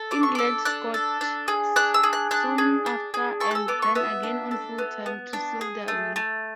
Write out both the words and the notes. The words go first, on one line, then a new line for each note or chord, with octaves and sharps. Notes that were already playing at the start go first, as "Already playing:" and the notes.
England scored soon after and then again on full time to seal their win.
Already playing: A4
D4 D6
C#6
A4 D6
D4 F#6
A4
D4
G#4
D4 F#6
E6
G#4
F#6
D4 F#6
G#4
D4
G#4
A4 C#6
F#6
E6
B3 D6
C#6
B3 E5
D4
A4
B3
B3
D4
G#4
A3
A3